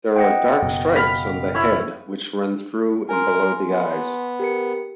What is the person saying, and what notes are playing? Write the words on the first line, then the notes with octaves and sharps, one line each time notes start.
There are dark stripes on the head which run through and below the eyes.
D#5 F#5 G5
F#1 F#2 B2
F5 B5
E4 C#5
A#4 G#5 C6
B3
G4 A#4 C#7